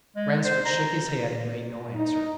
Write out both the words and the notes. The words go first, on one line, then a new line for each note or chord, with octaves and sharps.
Ransford shook his head and made no answer.
G#3
C5
A#5
D#4